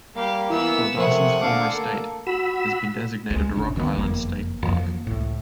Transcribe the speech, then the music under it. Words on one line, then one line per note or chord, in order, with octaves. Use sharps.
Thordarson's former estate has been designated Rock Island State Park.
G3 A#3 G4 F5
E3 B3 E4 E6
C3 F3 A3 G#4 A#4 C5 F#5
D3 A3 A4 F5 D6
A#3
F#4 B5 E6
C#2 G#3
F#1 C#3 D4
D2 D#3 G#3 B3
F#1 F2 G#2 A#3
F2 E3 F3 A#3
C#2 A2